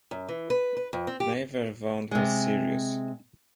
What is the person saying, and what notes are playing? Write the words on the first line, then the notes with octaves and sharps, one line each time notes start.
Neither wound was serious.
F#2
E3
B4
B4
F2
C4
G4
C3 G#3